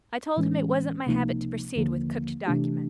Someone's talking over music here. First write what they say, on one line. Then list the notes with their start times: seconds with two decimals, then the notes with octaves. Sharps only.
I told him it wasn't my habit to proceed with cooked documents.
0.36 A2 E3 G#3 C#4
1.06 C#2 C3 F3 A#3 D#4
1.75 D#2 D3 F3 A#3
2.46 C3 E3 A3 D4 G4